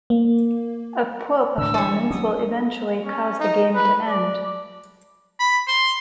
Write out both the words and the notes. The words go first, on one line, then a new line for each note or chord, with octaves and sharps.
A poor performance will eventually cause the game to end.
A#3
A2 D3 D4 E6
E3 G3 C#5
F#3 C#4 D#6
C#4
D#4
B4
D5
B5
C6